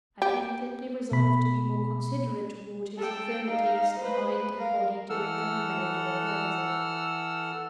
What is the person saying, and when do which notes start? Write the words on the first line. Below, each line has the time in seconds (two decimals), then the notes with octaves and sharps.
I penitently resolved to be more considerate toward his infirmities of mind and body during the remainder of my visit.
0.22 G4
1.12 B2 B5
2.97 A4 G5
3.48 D#4 F5
3.98 B4 C5
4.58 A#4 F5
5.10 E3 A4 F#5 E6 F6